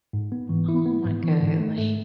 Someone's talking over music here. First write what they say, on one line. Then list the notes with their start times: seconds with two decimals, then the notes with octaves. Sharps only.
oh my golly,
0.13 G#2
0.32 B3
0.49 E3
0.69 E4
0.86 B3
1.05 G#2
1.24 E3
1.42 G#2
1.60 A3
1.78 A3